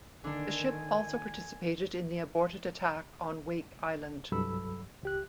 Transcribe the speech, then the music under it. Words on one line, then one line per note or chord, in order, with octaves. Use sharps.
The ship also participated in the aborted attack on Wake Island.
D3 D#3 A#3 D4 G#5
C2 G2 F#3 A4 B5 E6
C#2 G4 F#6